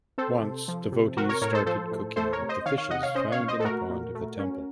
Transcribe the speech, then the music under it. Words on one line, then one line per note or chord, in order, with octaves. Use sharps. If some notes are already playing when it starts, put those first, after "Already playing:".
Once devotees started cooking with the fishes found in the pond of the temple.
C4 A4 C5
C3
F3
C3
C4 F#4 A#4
A#4 C#5
A2 A#4 C#5
A4 C5
F3 A4 C5
A2
A3 A4 C5
A#4 C#5
C3
C5 D#5
D#3 C#5 F5
C#5 F5
C3 D#5 F#5
C#5 F5
C#4 C5 D#5
C#5 F5
A#2
C5 D#5
A4
A3 F#4 A#4
A#2
A3
C#4